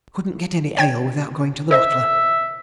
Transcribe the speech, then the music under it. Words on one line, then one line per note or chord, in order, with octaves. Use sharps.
I couldn't get any ale without going to the butler.
C#5 G5 G#6
A4 C5 D#5 E5